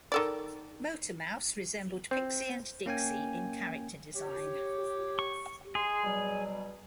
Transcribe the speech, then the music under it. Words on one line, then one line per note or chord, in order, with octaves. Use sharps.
Motormouse resembled Pixie and Dixie in character design.
D#3 A4 D5
C4
A#3 C#4 G5 G#5
G4 C#5
C#6
G#3 G#4 C6
B2 F#3 G3